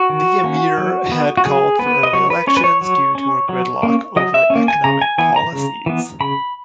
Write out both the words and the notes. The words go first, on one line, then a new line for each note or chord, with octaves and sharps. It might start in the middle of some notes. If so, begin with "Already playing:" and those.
The Emir had called for early elections due to a gridlock over economic policies.
Already playing: F#4
D#3
A#3 C#4
F#3
B3
F#4
F#3 G#4
B3 B4
D#5
F#3 C#5
B4
C#4 C#5
B4
C#5
F#3
C#4
F#3
A#3 C#4
F#3 D#5
E5
C#4
A#3
G#5
C#3 A#5
G#5
E3 B3 G#5
A#5
C#3
E3 B3
C#3 B5